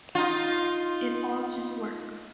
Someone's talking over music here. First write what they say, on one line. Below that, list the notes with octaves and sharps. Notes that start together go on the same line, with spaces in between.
It all just works.
D#4 F4